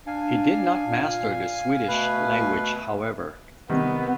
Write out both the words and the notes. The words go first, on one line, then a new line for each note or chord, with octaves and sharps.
He did not master the Swedish language however.
D4 F5 G#5
A#2
B2 A3 B4
C3 D#3 G3 B3